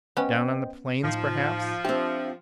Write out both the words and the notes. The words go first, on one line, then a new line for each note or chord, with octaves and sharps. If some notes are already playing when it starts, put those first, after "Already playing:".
Down on the plains, perhaps?
B3 C#4 C5 D#5 G5
A2 F3 D#4
C4 D4 G4 C5 E5